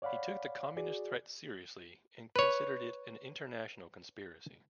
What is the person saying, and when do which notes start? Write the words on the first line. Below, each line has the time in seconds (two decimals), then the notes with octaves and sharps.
He took the communist threat seriously and considered it an international conspiracy.
0.02 C#5 D5 F5 F#5 B5
0.77 F#4 G#4 D5
2.36 B4 C#5